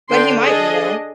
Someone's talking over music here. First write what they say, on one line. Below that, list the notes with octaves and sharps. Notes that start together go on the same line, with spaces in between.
But he might, you know.
D3 G5 C6
D4 G#4 A4 D#5